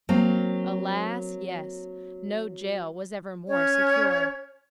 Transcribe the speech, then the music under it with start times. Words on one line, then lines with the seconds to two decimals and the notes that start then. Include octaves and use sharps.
Alas! yes: no jail was ever more secure.
0.09 F#3 A#3 C4
3.48 C#4 C#5